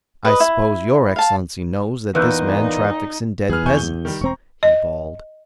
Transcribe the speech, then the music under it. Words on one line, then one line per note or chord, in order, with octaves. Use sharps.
"I suppose your Excellency knows that this man traffics in dead peasants?" he bawled.
B4 D#5
E4
F5 A5
E2 A#2 A#3 D#4 B4 F#6 G6
E2 G#4 B4 F6
G#5 C#6 G6
G7
D#3 G3
E1 C4 A#5 C#6
D#5